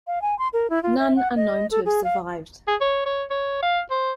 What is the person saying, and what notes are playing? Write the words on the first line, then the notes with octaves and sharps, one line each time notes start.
None are known to have survived.
F5
G#5
C6
A#4
E4
F4
E5
F#5
D#5
A4
G#4
F5
G#4
C#5
C#5
C#5
F5
C5